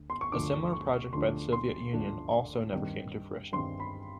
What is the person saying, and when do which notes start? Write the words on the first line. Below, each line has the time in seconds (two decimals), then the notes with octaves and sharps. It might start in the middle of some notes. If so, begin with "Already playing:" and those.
A similar project by the Soviet Union also never came to fruition.
Already playing: D2
0.10 C6
0.21 C#6
0.32 D2 D3 F3 A3 D4 D6
0.73 C#6
1.13 D2 D3 F3 A3 D4 C6
1.53 C6
1.93 D2 D3 F3 A3 D4
2.73 G2 D#3 G3 C4
3.53 G2 D#3 G3 C4 C6
3.80 B5